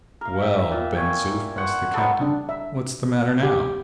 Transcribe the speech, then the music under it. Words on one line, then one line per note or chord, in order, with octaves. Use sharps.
"Well, Ben Zoof," asked the captain, "what's the matter now?"
A#4 F5
E5 G5
A#2
G5 G#5 C#6
C5 F#5 C#6
F#3 B3 A4
D4
E5
G4